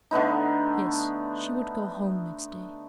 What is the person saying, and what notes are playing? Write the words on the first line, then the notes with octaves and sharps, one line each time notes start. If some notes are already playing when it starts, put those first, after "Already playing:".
Yes, she would go home next day.
D3 A3 B3 D#4